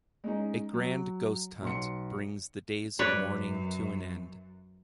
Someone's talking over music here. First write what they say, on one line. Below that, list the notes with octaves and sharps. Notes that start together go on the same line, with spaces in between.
A grand ghost-hunt brings the days of mourning to an end.
G#3 C#4 D#4
F#3
B1 C6 C#7
F#2 B4 C#5 D5